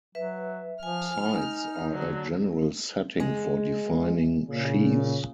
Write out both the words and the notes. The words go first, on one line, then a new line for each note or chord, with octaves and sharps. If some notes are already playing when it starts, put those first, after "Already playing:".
Sites are a general setting for defining sheaves.
F#3 B4 E5
F3 G#5 F6
D#4
D3 F#3
G#3
A#2 C#3